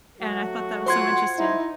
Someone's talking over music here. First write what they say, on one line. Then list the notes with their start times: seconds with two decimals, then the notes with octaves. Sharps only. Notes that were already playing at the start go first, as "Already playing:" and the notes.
and I thought that was so interesting.
0.21 F#3 A3 F#4
0.86 F4 C5 F#5 C6 G#6
1.38 D#4 E4